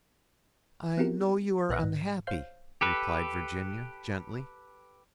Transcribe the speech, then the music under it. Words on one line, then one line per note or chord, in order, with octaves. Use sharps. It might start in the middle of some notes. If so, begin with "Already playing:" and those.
"I know you are unhappy," replied Virginia, gently.
B3 C4 E4 F#4 G4 A#4
B1 A#2 B4 F#5 F#6 A#6
G#2
C5 C#5 F5 F6 G6 C7
G4 A4 B4